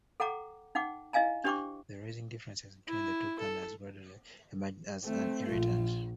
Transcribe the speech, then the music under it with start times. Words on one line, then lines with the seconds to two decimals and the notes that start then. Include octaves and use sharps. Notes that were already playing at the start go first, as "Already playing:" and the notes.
The rising differences between the two partners gradually emerged as an irritant.
0.20 A4 F#5 G5 A#5 D6
0.75 D#4 F#5 G5 D6
1.13 E4 D#5 F5 G#5 A#5
1.44 D4 G4 C5 G5 C#6 D6
2.88 E4
3.39 A4
5.04 A3 C4
5.49 A#1 F4